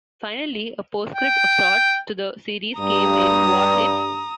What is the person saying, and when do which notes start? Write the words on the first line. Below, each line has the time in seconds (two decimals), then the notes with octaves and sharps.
Finally, a postscript of sorts to the series came in What If...
1.15 G5
2.79 G2 A#5 D#6